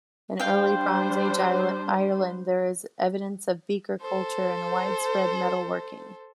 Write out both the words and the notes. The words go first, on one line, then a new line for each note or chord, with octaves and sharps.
In early-Bronze Age Ireland there is evidence of Beaker culture and a widespread metalworking.
G3 D4 C5 F5 G5
A4 C5